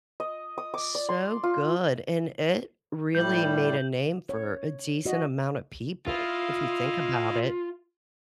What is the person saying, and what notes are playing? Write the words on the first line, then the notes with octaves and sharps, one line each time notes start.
So good, and it really made a name for a decent amount of people, if you think about it.
D#5
D#6
D6
D5
C6
F4
A2 G3 G6 F#7
C#5
F#4 D#5
E4 F4 D#5 F5